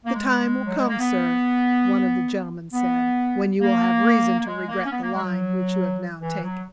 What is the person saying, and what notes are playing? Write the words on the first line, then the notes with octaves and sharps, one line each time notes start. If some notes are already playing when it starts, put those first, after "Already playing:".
"The time will come, sir," one of the gentlemen said, "when you will have reason to regret the line which you have now taken."
A#3
G#3
F#3
G#3
A#3
B3
B3
A#3
A#3
G#3
A#3
C#4
B3
A#3
G#3
F#3
E3
F#3